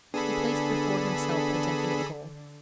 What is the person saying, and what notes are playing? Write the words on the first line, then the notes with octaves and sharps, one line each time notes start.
He placed before himself a definite goal.
D3 B3 D4 G#4 A4 B5